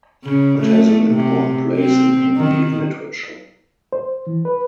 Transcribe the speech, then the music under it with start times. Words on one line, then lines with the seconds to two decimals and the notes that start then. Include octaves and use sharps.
It has an important place in Hindi literature.
0.24 C#3
0.60 A3
1.10 C3
1.78 C4
2.37 D#3
3.93 C5
4.27 E3
4.45 B4